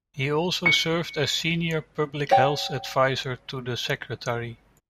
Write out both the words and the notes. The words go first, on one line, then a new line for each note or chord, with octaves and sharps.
He also served as senior public health advisor to the Secretary.
C#7
C#5 F#5 G5